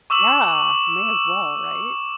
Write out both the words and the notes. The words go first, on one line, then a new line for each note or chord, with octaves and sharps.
Yeah, may as well, right?
C#6 D6 E6 E7 F#7